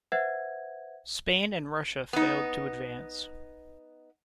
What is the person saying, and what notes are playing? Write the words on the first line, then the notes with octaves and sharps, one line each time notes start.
Spain and Russia failed to advance.
B4 C5 E5 F#5 G#6
B3 D#4